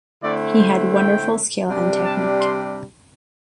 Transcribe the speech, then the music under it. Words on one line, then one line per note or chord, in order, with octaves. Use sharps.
He had wonderful skill and technique.
D3 A3 C4 E4 D5
C5
G5
C3 G3 D4
A5
C6